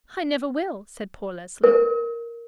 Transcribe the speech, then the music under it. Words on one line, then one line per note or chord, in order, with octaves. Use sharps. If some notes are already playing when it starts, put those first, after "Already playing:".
"I never will," said poor Leslie.
A#4